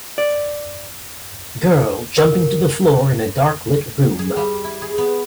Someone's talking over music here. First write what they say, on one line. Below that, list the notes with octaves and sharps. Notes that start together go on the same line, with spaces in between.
Girl jumping to the floor in a dark lit room.
D5
A#4
G#4
G3
E4
G#4
B3